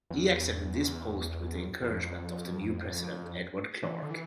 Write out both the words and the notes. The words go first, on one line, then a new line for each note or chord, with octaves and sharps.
He accepted this post with the encouragement of the new president, Edward Clark.
E2
F2
E3
D3
E3